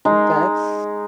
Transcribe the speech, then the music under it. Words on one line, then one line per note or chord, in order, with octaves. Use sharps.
Um, vets?
G#3 D#4